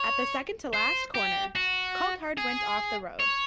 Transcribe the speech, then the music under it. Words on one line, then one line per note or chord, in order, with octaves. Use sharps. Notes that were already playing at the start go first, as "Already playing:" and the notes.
At the second to last corner Coulthard went off the road.
Already playing: C#5
C5
G4
F#4
G#4
C#5